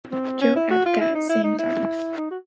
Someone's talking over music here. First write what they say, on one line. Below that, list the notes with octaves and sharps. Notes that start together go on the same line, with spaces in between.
Joe at that same time.
C4
C#4
E4
F#4
F4
E4
D#4
E4
D#4
E4
D#4
F#4